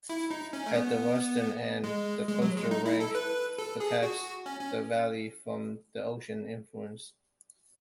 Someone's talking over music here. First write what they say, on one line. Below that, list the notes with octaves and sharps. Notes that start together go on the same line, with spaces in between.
At the western end, the coastal range protects the valley from the ocean influence.
E4
D#4
C#4
A3
B3
G#3
G#3
F#3
G#3
D#4
E4
A4
B4
A4
G#4
F#4
C#4
C#4